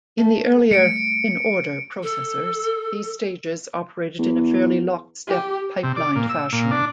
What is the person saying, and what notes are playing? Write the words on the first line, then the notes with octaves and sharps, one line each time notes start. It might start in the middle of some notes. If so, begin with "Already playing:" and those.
In the earlier "in-order" processors, these stages operated in a fairly lock-step, pipelined fashion.
A3
G3 A3 C#7 D7
A4
E2
G4
C3
D5
A#2
E6
A#2
D4